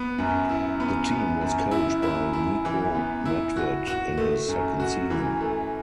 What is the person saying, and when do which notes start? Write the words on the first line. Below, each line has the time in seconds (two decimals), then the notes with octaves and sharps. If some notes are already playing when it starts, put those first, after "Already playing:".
The team was coached by Niko Medved in his second season.
Already playing: B3
0.18 F#2
0.49 E4
0.80 B3
1.11 B3
1.41 F#2
1.71 E4
2.03 E4
2.33 E4
2.65 E3
2.95 B3
3.25 E4
3.57 F#4
3.87 F#4
4.18 A3
4.48 F#2
4.80 F#4
5.10 E3
5.41 A3